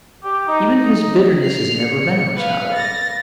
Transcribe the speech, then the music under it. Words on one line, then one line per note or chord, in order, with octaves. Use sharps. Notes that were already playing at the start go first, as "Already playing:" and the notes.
Even his bitterness is never venomous, however.
G4
D#4
C7 F7
C#7
B4 F5
A6 A#6